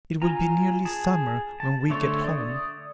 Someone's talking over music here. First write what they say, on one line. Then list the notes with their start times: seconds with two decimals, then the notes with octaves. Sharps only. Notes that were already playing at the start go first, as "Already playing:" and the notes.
It will be nearly Summer when we get home.
0.22 F4 G#5 A#5
0.85 G#4 A5
1.60 A5
1.90 D3 A3 C#5 C6
2.24 D5 D#6